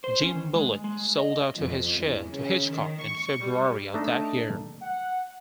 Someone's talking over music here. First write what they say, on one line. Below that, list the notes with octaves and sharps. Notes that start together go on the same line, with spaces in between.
Jim Bulleit sold out to his share to Hitchcock in February of that year.
C5
C#4
D#3
G#3
G#3
D#5
F2
E2
C#3
D#3
C#6
G3
A3 D4 D#4 D#5 A5
F#5